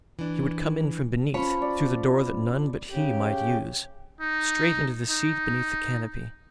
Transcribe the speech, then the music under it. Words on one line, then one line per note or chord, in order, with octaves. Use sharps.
He would come in from beneath through the door that none but He might use, straight into the seat beneath the canopy.
E3 D4
F3 C#4 C#5 B5
D5
C#3 G4
D#4
D#4